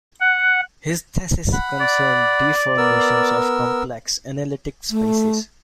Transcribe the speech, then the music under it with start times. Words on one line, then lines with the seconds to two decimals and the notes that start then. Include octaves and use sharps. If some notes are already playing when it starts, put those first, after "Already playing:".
His thesis concerned deformations of complex analytic spaces.
0.21 F#5
1.53 F#5 B5
1.81 D5
2.78 B3 A#4 E6
4.90 A3